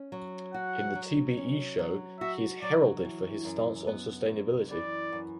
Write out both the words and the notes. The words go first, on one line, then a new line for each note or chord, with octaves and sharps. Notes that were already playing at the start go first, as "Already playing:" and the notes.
In tbe show he is heralded for his stance on sustainability.
Already playing: C#4
F#3
F#4 F#5
F#3
C#4
F#3
F#4 E5
F#3 D5
E3
F#2
B3
F#2
E3 D5
F#2